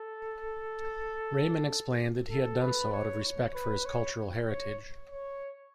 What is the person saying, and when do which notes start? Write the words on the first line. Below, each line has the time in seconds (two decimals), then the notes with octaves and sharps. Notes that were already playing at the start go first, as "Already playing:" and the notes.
Rahmon explained that he had done so out of respect for his cultural heritage.
Already playing: A4
2.30 A4
2.61 B4
2.93 C#5
3.23 C#5
3.55 B4
3.85 C#5
4.48 C#5
5.09 C#5